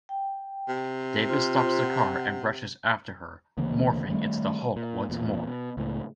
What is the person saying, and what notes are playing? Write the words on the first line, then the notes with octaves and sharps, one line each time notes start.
David stops the car and rushes after her, morphing into the Hulk once more.
G5
C3
F4 C5 C6
F#5
D2 C#3 E3 A#3
D#3 G3 A3
A#2
E2 A#2
B2
C#2 A2